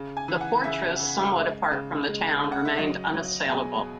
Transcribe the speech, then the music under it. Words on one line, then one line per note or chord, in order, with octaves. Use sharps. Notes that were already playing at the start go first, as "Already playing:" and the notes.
The fortress, somewhat apart from the town, remained unassailable.
Already playing: C#3
G#5
E3
F#5
C#3 E5
C#3
G#3
C#3
G#3
C#3
F#5
E5
F#3 D#5
F#3
B2 G#4